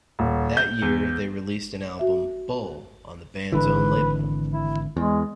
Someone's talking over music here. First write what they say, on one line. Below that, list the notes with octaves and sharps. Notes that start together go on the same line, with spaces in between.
That year they released an album, "Bull" on the band's own label.
D#1
G6
E2
F#4 E5
G#1 D3 E3 B4
E4
E2 G#3